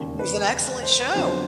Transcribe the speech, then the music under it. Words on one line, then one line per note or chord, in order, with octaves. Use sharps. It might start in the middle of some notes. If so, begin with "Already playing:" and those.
He's an excellent show.
Already playing: E1 D#2 C#3
B4
C5
F2 D3 F#3 B3 C5
C5